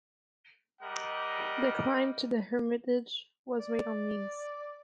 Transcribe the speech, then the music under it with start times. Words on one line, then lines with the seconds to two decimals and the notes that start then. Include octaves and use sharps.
The climb to the hermitage was made on knees.
0.82 G3 G4 A#4 D#5 F#5
3.59 D5